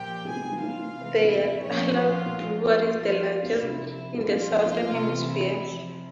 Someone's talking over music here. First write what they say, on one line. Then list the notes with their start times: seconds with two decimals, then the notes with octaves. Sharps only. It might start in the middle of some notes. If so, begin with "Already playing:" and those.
The Yatala Brewery is the largest in the Southern Hemisphere.
Already playing: A#2 F3 G4 G5
0.29 C3 E3 G#4 G#5
0.62 F4 F5
0.95 C3 E3
1.28 E4 E5
1.61 A#2 F3 C#4 C#5
1.95 F4
2.28 A#2 F3
2.61 F4
2.94 A#2 F3
3.60 C3 F3 E4
3.93 E4
4.26 A#2 F3 F4
4.59 F4
4.92 C3 E3
5.25 E4
5.59 C3 F3